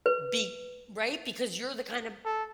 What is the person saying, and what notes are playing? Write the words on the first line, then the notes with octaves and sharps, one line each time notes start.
be Right? Because you're the kind of
B4
A4